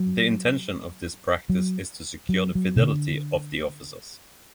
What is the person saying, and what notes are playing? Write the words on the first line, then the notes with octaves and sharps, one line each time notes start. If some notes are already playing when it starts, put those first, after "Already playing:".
The intention of this practice is to secure the fidelity of the officers.
Already playing: F#3
F#3
F#3
F#3
B2
D3